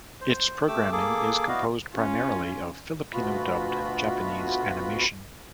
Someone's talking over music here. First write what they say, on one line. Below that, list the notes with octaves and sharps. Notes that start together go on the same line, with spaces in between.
Its programming is composed primarily of Filipino-dubbed Japanese animation.
C5
A3 G4 D6 E6
A#3 G#4 A4 D6
B3 E4 F#4 D5 D#5 F5
C#4 F4
D2 B2 B3 F4 F#4 B5